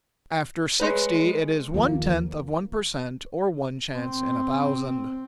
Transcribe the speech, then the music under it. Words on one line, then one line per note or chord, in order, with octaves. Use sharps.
After sixty it is one-tenth of one per cent, or one chance in a thousand.
G#3 B4 C#5 C6
D#2 F3 F#3 A#3
C4